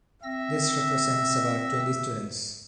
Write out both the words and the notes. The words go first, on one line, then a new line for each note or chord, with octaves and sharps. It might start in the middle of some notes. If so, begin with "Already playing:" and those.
This represents about twenty students.
C4 E5 E6 A#6